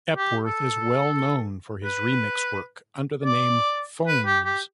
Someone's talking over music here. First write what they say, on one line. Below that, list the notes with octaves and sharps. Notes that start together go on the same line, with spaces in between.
Epworth is well known for his remix work under the name "Phones".
G4
A4
B4
D5
B4
G4
G4